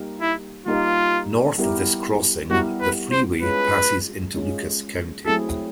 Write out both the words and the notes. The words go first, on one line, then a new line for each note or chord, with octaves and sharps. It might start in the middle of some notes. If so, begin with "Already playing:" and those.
North of this crossing, the freeway passes into Lucas County.
Already playing: G3 A#3 D#4 G4 A#4
E4
G3 A#3 D#4 F4 G4 A#4
G3 B3 E4 G4 A#4
G3 B3 E4 F#4 G4 A#4
B4
C5
G#3 C#4 F4 G#4 B4
G#3 C#4 F4 G#4
F#3 A3 C4 E4 G#4 A4